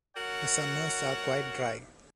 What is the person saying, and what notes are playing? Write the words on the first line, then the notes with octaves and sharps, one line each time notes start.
The summers are quite dry.
F#4 A#4 C#5 F#5